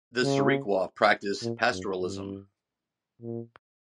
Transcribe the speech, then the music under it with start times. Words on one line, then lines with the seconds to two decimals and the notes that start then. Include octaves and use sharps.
The Sirikwa practiced pastoralism.
0.23 C#3
1.42 A#2
1.73 F#2
2.03 G2
3.22 A#2